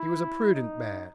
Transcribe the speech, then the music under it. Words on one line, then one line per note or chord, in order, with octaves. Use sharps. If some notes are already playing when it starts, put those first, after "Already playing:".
He was a prudent man.
Already playing: E4
D#4